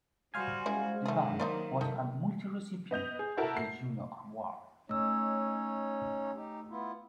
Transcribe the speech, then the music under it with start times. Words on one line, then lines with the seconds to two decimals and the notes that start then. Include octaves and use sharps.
The band was a multi-recipient of the Juno Award.
0.34 G3 F#4 C5 F5 G#5
0.66 C#3 G#3 E4 D5
1.06 D#3 F#3 A3 G#4
1.40 A#3 D#4 C5 D5
1.81 G2 D#4 A4
2.91 B3 D#5 G6 F7
3.19 G#4
3.37 E4 F#4 A4 A#4 A5
3.57 C7
4.89 A3 C#4 D#4 C#5 E6
6.34 D#4 G4
6.69 B3 E4 F4